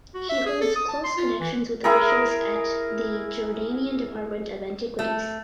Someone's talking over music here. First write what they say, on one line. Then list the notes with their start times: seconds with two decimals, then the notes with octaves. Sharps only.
He holds close connections with officials at the Jordanian Department of Antiquities.
0.14 F#4
0.29 E5
0.46 G#4
0.61 A4
0.76 D#6
0.88 A5
1.04 C6
1.17 F4
1.40 E3
1.84 E4 G#4 A#4
4.99 A3